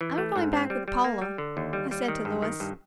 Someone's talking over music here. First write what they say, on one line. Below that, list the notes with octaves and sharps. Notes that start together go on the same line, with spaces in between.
"I'm going back with Paula," I said to Louis.
E3
A3
G#2
C4
G3
G3
A#3
G3
D3
D#2
G3
G3
D#3
G2
D#3
G2